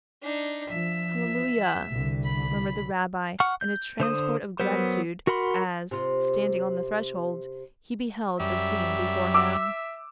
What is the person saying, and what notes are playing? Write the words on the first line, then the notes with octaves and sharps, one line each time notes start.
"HALLELUIA!" murmured the rabbi in a transport of gratitude as, standing on the threshold, he beheld the scene before him.
D4 D#4
F3 E5
C2 D3
B5
F#5 C#6 F6
G6
D3 C5 D#6
F#3 B3 A#4 C5
F#4 A#4 F#5 B5 C6
C3 F4
F#2 G3 E5
D6 E6